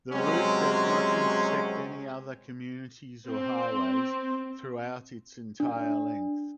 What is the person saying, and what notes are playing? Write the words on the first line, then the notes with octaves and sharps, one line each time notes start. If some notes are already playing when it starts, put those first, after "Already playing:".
The route does not intersect any other communities or highways throughout its entire length.
C3 F#3 G#3 C4 C#4
C4
D4